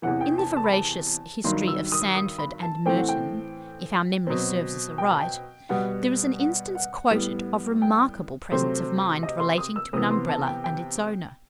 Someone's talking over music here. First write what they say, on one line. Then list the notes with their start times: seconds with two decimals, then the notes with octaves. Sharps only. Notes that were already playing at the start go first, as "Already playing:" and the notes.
In the veracious "History of Sandford and Merton," if our memory serves us aright, there is an instance quoted of remarkable presence of mind relating to an Umbrella and its owner.
0.02 E2 C3 E3 F#5
0.21 G5
0.38 A5
0.57 A5
0.64 B5
0.73 A5
1.44 G2 D#3 F#3 C6
1.68 E6
1.92 D#6
2.15 D#6
2.39 B5
2.62 A5
2.86 A2 E3 A3 C4 G5
2.97 F#5
3.09 G5
4.27 B2 F#3 C4
4.98 G5
5.10 A5
5.21 G5
5.69 B2 G3 B3 F#5
6.40 F#5
6.75 F#5
7.11 A2 G3 B3
7.82 G5
8.52 C3 F#3 A3 C4 C5
9.23 D#5
9.40 C6
9.58 D#6
9.76 E6
9.93 C3 E3 B3 D#6
10.11 C6
10.29 A5
10.47 G5
10.64 G5